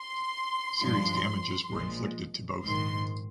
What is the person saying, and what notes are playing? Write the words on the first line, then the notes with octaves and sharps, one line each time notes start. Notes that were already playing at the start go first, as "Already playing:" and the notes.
Serious damages were inflicted to both.
Already playing: C6
G2 F3 G#3 D4
A#1 A#2 F3 G#3
A#1 G#2 D#3 C6